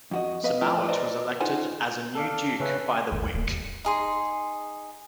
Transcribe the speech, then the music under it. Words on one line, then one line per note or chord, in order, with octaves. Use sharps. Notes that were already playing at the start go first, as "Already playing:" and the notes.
Siemowit was elected as new duke by the "wiec".
F2 F#4 D#5
B3 B4 D#5 F5
F2 A2 F4 G5
B4 C5 D5 D#5 A5 A#5
D#4 F4 A4 C5 F#5 G#5
A4 D5 F5 A5
C#3 C#4 B4 E5
G#1 D#2
D1 A#3
G2
D#4 G#4 C6